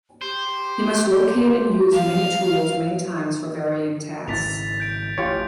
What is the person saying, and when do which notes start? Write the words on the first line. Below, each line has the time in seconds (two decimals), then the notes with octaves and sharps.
He must locate and use many tools many times for varying tasks.
0.22 G4 C5
1.92 F5
4.28 G#1 C#3 E3 A6 B6 F7
4.80 G6 D7
5.18 A1 F2 F4 G4 C#5 D7